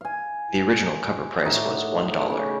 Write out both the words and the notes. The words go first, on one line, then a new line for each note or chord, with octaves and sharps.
The original cover price was one dollar.
F5 G#5
A2 D4 D#4 F#4
C#3 D6